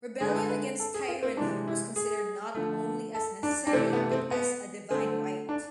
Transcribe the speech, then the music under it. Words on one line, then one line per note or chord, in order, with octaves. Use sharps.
Rebellion against tyranny was considered not only as necessary, but as a divine right.
D3 G#3 G#4
B4
A4
B4
A4
G#4
F4
C4
C3 E3 G#3 D4
E4
G#4
D3 F3 A3
A4
D4
D4
C3 E3 A3 C4
B3
C4
B3
D3 A3 C4
D4